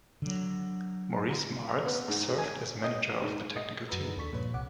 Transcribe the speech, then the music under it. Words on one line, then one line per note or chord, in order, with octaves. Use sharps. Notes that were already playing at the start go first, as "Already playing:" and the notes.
Maurice Marks served as manager of the technical team.
D3 F#3
B3
G#2
G#5
D#5
G#2
D#5
F#2 F#4 B4 A#5 E6
D4 D#4 G#4 B4
D#2 D4 A4 C#6 B6
G2 A#2 F3 B4 C#5
C2 C3 F#5 D6